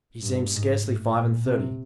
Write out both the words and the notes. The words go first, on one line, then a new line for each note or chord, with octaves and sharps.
He seemed scarcely five and thirty.
G2
G#2
A2
A#2
C3